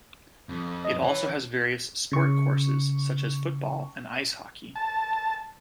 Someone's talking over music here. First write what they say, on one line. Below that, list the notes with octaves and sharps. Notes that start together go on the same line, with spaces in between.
It also has various sport courses such as football and ice hockey.
F2
D#5
E3 C#5
C#3 C#6
A5